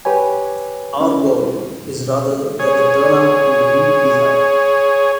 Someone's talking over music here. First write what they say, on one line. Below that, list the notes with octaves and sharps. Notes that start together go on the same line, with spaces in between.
Our goal is rather that the turnout and the lead be high.
G4 B4 C#5 G#5
C#4
G#4 C#5